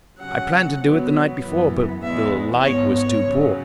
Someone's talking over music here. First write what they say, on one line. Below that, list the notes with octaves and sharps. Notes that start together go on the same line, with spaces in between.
I planned to do it the night before, but the light was too poor.
C#3 F#3 C#4 F#5
B2 F#3 B3
F#2 E3 B3
E2 E3 G#3 B3 E5
G#2 G#3 B3 C#5
C#5
C#3 F#3 C#4